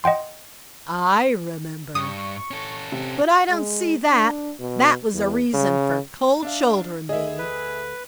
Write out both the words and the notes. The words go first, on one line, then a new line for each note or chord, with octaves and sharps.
I remember. But I don't see that that was a reason for cold-shouldering me.
D#5 F#5 G5 C6
G2 C#6 D#6
C#4 A4
C3
G#3
D4
B2
E2
C#3
D4 E5 F5
D2 G#4 D#5 E5
B4